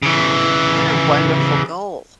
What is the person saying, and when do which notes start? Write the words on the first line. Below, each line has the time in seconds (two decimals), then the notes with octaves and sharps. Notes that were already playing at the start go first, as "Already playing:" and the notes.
What what a wonderful goal, a
0.03 C#3 E3